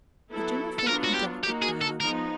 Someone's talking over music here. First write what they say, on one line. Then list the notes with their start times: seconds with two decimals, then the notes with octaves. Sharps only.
The General felt on delicate ground.
0.29 F#3 B3 E4 A4
0.79 A4
0.86 F#3 B3 D4 F4 A#4
1.04 F#4
1.15 G4
1.43 A#3 D#4 F#4 G4
1.62 G#4
1.81 A4
2.00 F3 G#3 B3 D#4 A#4